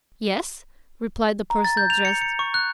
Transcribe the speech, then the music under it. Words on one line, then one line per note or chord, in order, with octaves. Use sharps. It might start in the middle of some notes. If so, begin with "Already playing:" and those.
"Yes," replied the person addressed.
A#5
A6
G6
F7
C#7
C#7
C#6
F#6